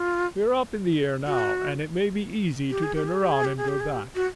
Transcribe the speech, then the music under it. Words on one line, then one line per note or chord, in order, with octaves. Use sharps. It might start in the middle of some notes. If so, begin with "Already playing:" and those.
We're up in the air now, and it may be easy to turn around and go back.
Already playing: F4
F#4
G4
G#4
G4
G#4
G4
G#4
G4
G#4
G4
G#4
G4
F#4